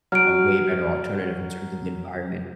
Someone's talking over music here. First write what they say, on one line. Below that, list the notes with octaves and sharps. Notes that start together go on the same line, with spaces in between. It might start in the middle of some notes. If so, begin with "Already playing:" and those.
a way better alternative in terms of the environment
F#3 F6 D7